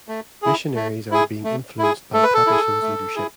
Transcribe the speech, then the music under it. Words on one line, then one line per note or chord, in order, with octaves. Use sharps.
Missionaries are being influenced by Patterson's leadership.
A3
E4 G#4
A3
E4 G#4
A3
E4 G#4
A3 A4
B4
A4
E4 G#4
A3
E4 G#4